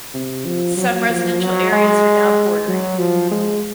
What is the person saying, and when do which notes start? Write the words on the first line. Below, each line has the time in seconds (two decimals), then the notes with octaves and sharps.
Some residential areas are now bordering it.
0.14 C3
0.46 F3
0.77 F#3
1.09 F3
1.40 F#3
1.72 G#3
2.68 F#3
2.99 F3
3.31 G#3